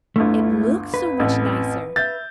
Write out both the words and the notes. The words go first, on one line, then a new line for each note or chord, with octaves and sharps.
It LOOKS so much nicer.
G1 D2 A3 E4 F4
B4
A1 F2
E5 G6 A6